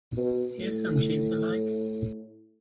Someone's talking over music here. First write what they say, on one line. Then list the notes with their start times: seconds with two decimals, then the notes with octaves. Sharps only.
Here's some cheese you like.
0.17 B2
0.57 A2